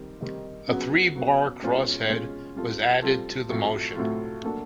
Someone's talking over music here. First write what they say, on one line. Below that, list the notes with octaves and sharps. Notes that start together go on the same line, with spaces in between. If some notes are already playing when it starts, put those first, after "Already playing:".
A three bar crosshead was added to the motion.
Already playing: D#3 G3 C4 D#4
D#3 G3 C4 D#4
C#3 F#3 B3
C#3 F#3 B3
B2 G#3 C#4 F4
B2 G#3 C#4 F4
G3 C4 F4 A4
G3 C4 F4 A4
A2 F#3 A3 C4 F4
A2 F#3 A3 C4 F4
F#3 A#3 D4 F#4 A4